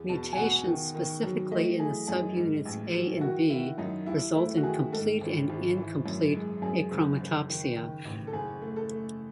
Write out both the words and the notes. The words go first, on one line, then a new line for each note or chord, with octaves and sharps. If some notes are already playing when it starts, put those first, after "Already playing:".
Mutations specifically in the subunits A and B result in complete and incomplete achromatopsia.
Already playing: E2
B2 A5
G#5
B2 F#5
D#3
D#3
F#3
A3 D#5
E3 G#4
F#2 G#4
G#2
A1
F#3
E4
D#3 F#4
D#3 E4
F#2 D#4
D#2 E4
A3 E4
F#4
D#3 G#4
G#2 A4
G#1
G#1
E3
F#2
G#3
F#2 G#4
F#1
F#1
D#3
D#3
A1
A4
F#1 G#4
A3
A4
A3